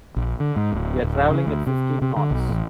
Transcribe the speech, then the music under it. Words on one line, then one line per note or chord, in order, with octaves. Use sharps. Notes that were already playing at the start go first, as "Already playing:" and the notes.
We are travelling at fifteen knots.
A#1
D3
G#2
D1
D1
C#3
D2
C3
C3
D3
B1
A1